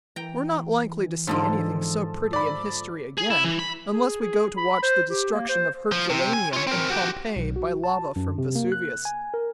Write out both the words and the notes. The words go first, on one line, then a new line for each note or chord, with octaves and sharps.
We're not likely to see anything so pretty in history again, unless we go to watch the destruction of Herculaneum and Pompeii by lava from Vesuvius.
E3 G5 A#5
G#2 D3 F3 G#3 A4
D5 B5
G#4
E4
E3
B5
G#4
G#4
B5
C5
G4
A#3
C5
F3
C3
G#5
F4 C#5
C4 A#4
F#4 G4
B1
F#4
A5
F#2
C3
A#3
F#6
G#5
A#4